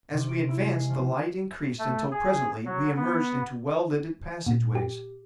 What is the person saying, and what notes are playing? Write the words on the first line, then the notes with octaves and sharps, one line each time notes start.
As we advanced the light increased until presently we emerged into well-lighted passageways.
C3
D7
E4
G#3
C7
F3
A3
G#4
F#3
B3
A#2
G4